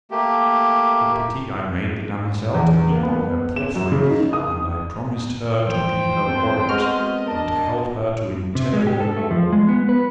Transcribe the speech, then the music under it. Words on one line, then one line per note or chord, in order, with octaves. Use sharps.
Then for pity I made the damosel to leap on her palfrey, and I promised her to be her warrant, and to help her to inter her lord.
A3 A#3 G4
E2
A#3
B3
E7
F#2
C#3
D#4
D#6
G2 E3 F3 C5 G5
B3 C4 A4
G#3 F#4 D#5 F6
D4 A#4 D#5 A5
C3
G#3
G4
A4
A3
F3
G#3
B3
B4